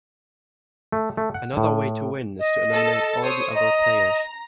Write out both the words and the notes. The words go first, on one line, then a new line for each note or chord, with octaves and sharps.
Another way to win is to eliminate all the other players.
A3
A3
F#5
A2
D#5
A4
C5 C#5 D#6
D#5 A#5